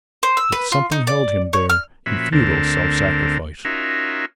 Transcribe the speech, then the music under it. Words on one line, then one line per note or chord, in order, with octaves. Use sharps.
Yet something held him there in futile self-sacrifice.
C5
E6
B4
F4
D#4
D5
C#5
F6
A#2 F3 C#4 F#4 E5 B5
D2 D3 C4 A#4 A5
C#4 D#4 F4 F#4 A#4 E5